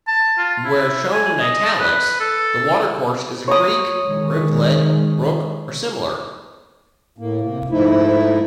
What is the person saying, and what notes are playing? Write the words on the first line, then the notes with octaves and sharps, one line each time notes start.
Where shown in "italics", the watercourse is a creek, rivulet, brook, or similar.
A5
F4
E4
G#5
D#5
B4
A4
C#5 A#5 D#6
D#3 G#3
A2 A#3
C3 A#3
G#2 F3 A3 D#4 E4